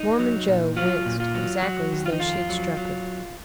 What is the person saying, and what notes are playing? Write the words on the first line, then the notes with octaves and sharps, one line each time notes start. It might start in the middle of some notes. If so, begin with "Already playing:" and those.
Mormon Joe winced, exactly as though she had struck him.
Already playing: D#4
F#3
A#2
F#3 F4
A#2
F4
F#3
F#3 F#4
D#3
F4
D#4
F2 F4
F#3
F#3